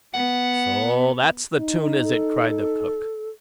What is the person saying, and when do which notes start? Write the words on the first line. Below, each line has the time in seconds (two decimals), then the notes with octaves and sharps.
"So that's the toon, is it?" cried the cook.
0.14 B3 F#5
1.59 D#4
2.04 A4